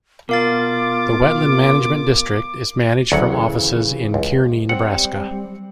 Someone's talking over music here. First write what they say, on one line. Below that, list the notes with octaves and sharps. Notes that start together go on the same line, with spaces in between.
The Wetland Management District is managed from offices in Kearney, Nebraska.
B2 F4 A#4 F5 D6 A6
D2 C#3 E3 F#3 F#5
C#2
G3 C4 F#5